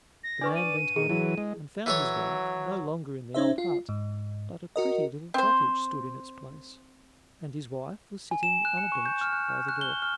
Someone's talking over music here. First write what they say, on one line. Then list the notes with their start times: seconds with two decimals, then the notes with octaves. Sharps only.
The man went home and found his wife no longer in the old hut, but a pretty little cottage stood in its place, and his wife was sitting on a bench by the door.
0.24 A#6
0.41 D4 B4 D5 C#6
0.56 D#7
0.96 D#3 G#4
1.10 E3 F#3 E4
1.38 G#3
1.86 E3 F#3 A4 C#5
3.34 C#4 D#4 C5 E5
3.58 F4
3.89 G#2
4.76 F#4 A#4 D#5
5.34 C4 C5
8.31 G#5
8.43 E7
8.65 F#6
8.77 C#7
8.92 C#6
9.06 G6
9.21 F6
9.33 F#6
9.49 F6
9.69 F#6
9.81 G7
10.02 F6